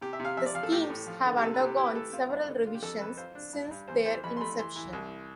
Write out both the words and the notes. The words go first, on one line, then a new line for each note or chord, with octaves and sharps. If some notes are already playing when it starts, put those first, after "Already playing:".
The schemes have undergone several revisions since their inception.
C3 G4
E5
C3
F5
F3 E5
D5
F3 F5
A4
A2 G4
A2
F3
D3
G4
C3 A4
B4
C3
G4
E4 G4
B4
A3 A4
C4 F4
G2
D3
D3 F4
G4
F2 A4
F2 B4
F4 C5
D4
G2
G2
E2 C5
E3 C5
F2 B5
C6
A3 B5
E3 C6
E3
C2